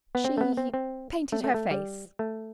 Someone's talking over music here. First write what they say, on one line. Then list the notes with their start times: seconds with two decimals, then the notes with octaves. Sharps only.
"She painted her face."
0.15 B3
0.25 C4
0.38 A3
0.41 B3
0.57 C4
0.74 C4
1.32 A3
1.44 A3
1.54 A3
1.71 G3
2.19 A3